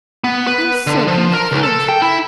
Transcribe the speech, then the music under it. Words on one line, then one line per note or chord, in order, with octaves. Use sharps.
I am so confused.
B3
B4
D3
F3
A#4
C#2
A4
G5
E4